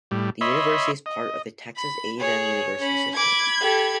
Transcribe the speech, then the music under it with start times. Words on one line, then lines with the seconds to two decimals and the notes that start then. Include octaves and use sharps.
The university is part of the Texas A and M University System.
0.11 A2 G3
0.41 C#5 D#5 E5 B5 C6
1.06 D#5
1.77 B5
2.20 G#4 C#5
2.79 C#4 B5
3.16 B5 D6 G#6
3.61 G4 A4